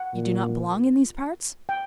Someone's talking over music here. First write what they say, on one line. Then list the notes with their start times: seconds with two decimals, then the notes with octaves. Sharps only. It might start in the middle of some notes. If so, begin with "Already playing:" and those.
"You do not belong in these parts?"
Already playing: F#5
0.14 A#2
1.69 G5